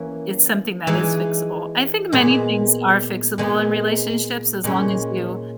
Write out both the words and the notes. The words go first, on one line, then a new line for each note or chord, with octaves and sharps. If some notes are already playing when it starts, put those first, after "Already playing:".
it's something that is fixable, I think many things are fixable in relationships as long as you
Already playing: E3 A#3 C#4
E3 G#3 D#4
A#2 G#3 B3
A#2 G#3 B3
A#2 G#3 C#4